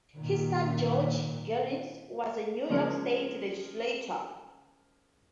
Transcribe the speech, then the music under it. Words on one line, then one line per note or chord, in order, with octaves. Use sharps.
His son, George Geddes, was a New York State legislator.
A#2 D#3
C#3 F3 G#3 F4 A#4